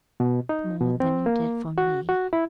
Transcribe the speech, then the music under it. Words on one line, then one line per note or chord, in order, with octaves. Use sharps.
"More than you did for me?"
B2
D#4
B2
C4
A#3
F#4
F#4
E4